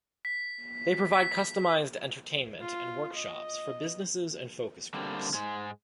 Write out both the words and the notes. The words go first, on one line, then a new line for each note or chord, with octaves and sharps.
They provide customized entertainment and workshops for businesses and focus groups.
B6
B6
F4
D#5
D3 G3 A#3 C4
G#2 G#3